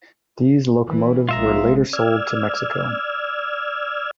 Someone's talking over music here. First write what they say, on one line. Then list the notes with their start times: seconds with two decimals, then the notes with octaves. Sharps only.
These locomotives were later sold to Mexico.
0.89 E3
1.29 A#1 G#3 F4 E5 A#5
1.93 D5 E6 F6 G#6